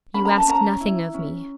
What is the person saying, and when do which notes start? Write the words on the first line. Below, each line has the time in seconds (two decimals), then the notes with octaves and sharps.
'You ask nothing of me.
0.14 C#4 B5
0.25 A#5
0.37 A5
0.47 C#4 A#5
0.81 E4
1.14 C#4